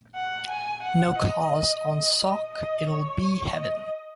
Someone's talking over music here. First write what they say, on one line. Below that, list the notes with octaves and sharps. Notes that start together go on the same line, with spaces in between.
No cars on Sark, it'll be heaven.
F#5
G#5
F#5
D#5
D#5
D#5
C#5
D#5